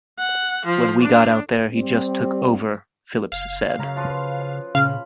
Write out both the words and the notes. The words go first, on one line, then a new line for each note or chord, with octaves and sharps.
"When we got out there, he just took over," Phillips said.
F#5
F3
D4
G3 C4
F#1 F5
F#2 C#3 A#4 C#5
F3 F4 B4
A#2 C#3 F5 B5